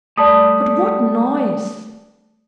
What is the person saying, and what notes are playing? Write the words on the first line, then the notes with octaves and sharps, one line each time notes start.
But what noise!
G3 A3 D5 A5 B5 D#6